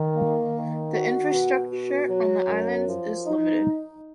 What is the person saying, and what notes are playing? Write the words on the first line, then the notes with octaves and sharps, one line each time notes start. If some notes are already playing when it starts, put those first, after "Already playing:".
The infrastructure on the islands is limited.
Already playing: D#3
A#3
D#3
F#4
B2
F#4
F#3
F#2
F3
D#4